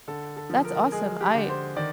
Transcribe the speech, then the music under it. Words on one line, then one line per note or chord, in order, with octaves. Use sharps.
That's awesome. I
D3 A4
A4
F3
A#4
G#3 G#4
G4
D3
C5
D#3 D5